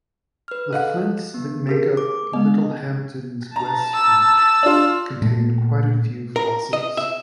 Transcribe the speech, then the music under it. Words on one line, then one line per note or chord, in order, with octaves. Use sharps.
The flints that make up Littlehampton's West Beach contain quite a few fossils.
B4 F6
A4 D#5 F5 F#5 F#6
B3
G4 G#4 A#4
D6
G#3 B3 D#5
A5 A#5
E6
D4 F4
A#2 A3
A#4
D#5
E5